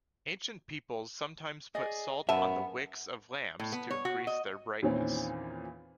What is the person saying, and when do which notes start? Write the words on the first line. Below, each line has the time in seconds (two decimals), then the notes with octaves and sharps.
Ancient peoples sometimes put salt on the wicks of lamps to increase their brightness.
1.75 G#4 D5 D#5
2.29 F#2 B3 A#4 E5 G#5 A5
3.60 A2
3.72 B3
3.90 C#5
4.05 F#4
4.27 D#5
4.82 E2 A#2 D#3 E3 C4 C#4